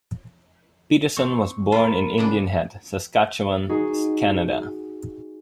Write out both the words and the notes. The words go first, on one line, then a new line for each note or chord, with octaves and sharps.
Peterson was born in Indian Head, Saskatchewan, Canada.
C4 C#6
F4 A#4 B5
C#3 B3 D4
D#4 F#4 G#4